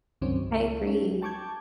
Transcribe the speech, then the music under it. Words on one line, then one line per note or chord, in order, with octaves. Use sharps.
I agree,
C#2 G2 D#3 F#3 C4 C#4
C#2
C#4
G5 A5 C#6 D6 G6 G#6